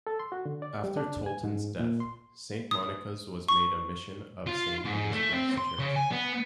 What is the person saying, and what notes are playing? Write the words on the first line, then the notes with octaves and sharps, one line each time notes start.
After Tolton's death, Saint Monica's was made a mission of Saint Elizabeth's Church.
A4
C6
F#4
D3
D5
G3
D4
G#5
G#2
A#2
C6
D#6
C#6
F4
G#2
A3
C4
C6
C#3
G#5
B3